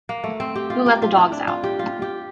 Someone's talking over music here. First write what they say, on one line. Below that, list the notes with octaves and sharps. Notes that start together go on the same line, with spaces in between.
Who Let the Dogs Out?
A#3
A3
C4
G4
F4
G4
F4
E4
D4
F4
G4
F4
G4